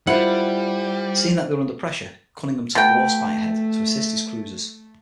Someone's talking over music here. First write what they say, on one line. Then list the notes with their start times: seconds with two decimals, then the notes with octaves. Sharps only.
Seeing that they were under pressure, Cunningham took "Warspite" ahead to assist his cruisers.
0.07 G3 E4 F4 C5 F#5
2.75 B2 A3 G5